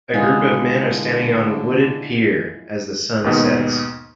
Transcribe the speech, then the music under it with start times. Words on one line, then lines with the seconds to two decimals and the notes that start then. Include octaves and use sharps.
A group of men are standing on wooded pier as the sun sets.
0.14 D3 G#3 E4 F4
3.24 D#2 G#2 B2